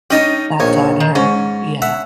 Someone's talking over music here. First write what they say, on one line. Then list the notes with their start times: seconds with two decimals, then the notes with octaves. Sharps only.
That's on her, yeah.
0.10 C#4 D#4 G4 D#5 A5
0.60 A#1 D#3 C#5
1.00 D#3
1.15 G#2 C#4
1.82 E5 F#5